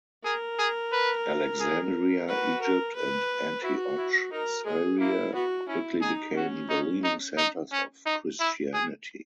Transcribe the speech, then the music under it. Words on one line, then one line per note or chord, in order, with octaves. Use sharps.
Alexandria, Egypt and Antioch, Syria quickly became the leading centers of Christianity.
G#4 A#4
G#4
B4
G#4
F#4 B4
A#4
B4
E4 F#4
E4
D#4 A#4
G#3 G#4
A#3 E4
B3 F#4
C#4 E4
D#4 G#4
C#4 F#4
D#4
D#4
D#4
C#4
D#4
E4
G#4